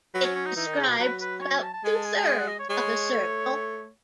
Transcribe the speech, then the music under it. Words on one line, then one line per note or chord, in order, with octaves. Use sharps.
It describes about two-thirds of a circle.
F#3 B4
C#4
C#4
D#4
E3 D#4
D#3
C#3
B2
F#3 B4
B4
C#5
C#5
A5
A5
G#3 G#5
A5
G#5
A5
G#5
F#5
D#5
C#5
G#3 C#5
A3